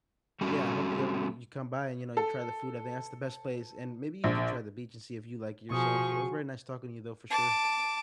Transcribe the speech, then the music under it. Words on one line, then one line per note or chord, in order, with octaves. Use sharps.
Yeah, I hope you ever you you come by, and, you know, you try the food. I think that's the best place, and, maybe, you can try the beach, and see if you like it yourself. It was very nice talking to you, though, for sure.
G3 A3 C#4 F#4
A4
A#1
B2 F3 F#4 G#4 C#6 D#6
A5 D6